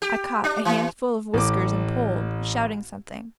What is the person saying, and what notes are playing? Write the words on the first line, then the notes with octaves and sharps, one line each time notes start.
I caught a handful of whiskers and pulled, shouting something.
G4
D4
E3
A1 D6